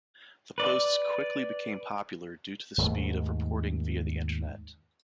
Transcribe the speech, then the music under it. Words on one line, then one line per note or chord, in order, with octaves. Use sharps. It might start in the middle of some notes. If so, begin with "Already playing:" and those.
The posts quickly became popular due to the speed of reporting via the Internet.
B4 D5
D#2 G#2 A3